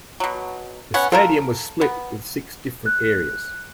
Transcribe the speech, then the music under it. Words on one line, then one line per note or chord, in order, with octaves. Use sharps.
The stadium was split with six different areas.
B2 F#3
B3 C#4 F#5
F4 A4 A#4
B3
F#6